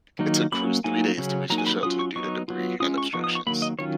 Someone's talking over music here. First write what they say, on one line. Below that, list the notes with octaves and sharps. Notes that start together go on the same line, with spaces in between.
It took crews three days to reach the shelter due to debris and obstructions.
D#3 F#3 A#3 D#4
F#3 A#3 C#4 B5
F#3 A#3 D#4 G#5
C#3 F#3 C#4
F#3 A#3 D#4 A#5
G#5
B5
F#3 C#4 F4 D#6
C#6
F#3 B3 D#4 C#6
F#3 B3 F4
G#3 C#4 F4 D#6
C#6
F3 B3 D#4 C#6
D#6
C#6
D#3 F#3 A#3 B5
D#5
D#3 F#3 C#4 F4 C#5